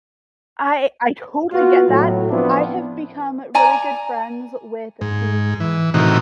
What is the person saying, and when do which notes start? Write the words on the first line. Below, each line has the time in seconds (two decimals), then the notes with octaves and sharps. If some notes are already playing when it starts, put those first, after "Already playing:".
I I totally get that, I have become really good friends with the
1.53 B3 F4 F#4
1.88 A2 F#3
2.30 F3 B3 C4 D4 E4 F4
3.55 D5 G#5 A#5
5.01 G#2
5.60 E3
5.94 A2 C3 D#3 E3 D#4 F#4